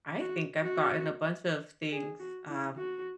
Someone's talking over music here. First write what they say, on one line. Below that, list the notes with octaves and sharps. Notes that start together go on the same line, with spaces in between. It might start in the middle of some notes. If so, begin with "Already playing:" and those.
I think I've gotten a bunch of things, um,
F#4
F#4
G#4
F#4
E4
F#4